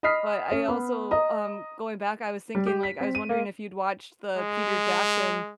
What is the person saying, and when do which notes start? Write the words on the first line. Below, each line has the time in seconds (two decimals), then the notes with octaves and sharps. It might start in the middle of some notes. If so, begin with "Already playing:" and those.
But I also, um, going back, I was thinking, like, I was wondering if you'd watched the Peter Jackson,
0.03 D#5 B5 D#6 F6 B6 C7
0.52 C#4
0.68 B3
1.11 D#5 A#5 D#6
2.55 G3
2.67 G4
2.83 B6
3.01 C4
3.15 D#7
3.29 A#3
4.37 G#3